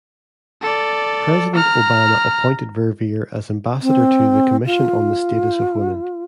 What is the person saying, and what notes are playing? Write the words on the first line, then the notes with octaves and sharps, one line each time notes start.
President Obama appointed Verveer as Ambassador to the Commission on the Status of Women.
A4 D5
A#5 F6
C4
F4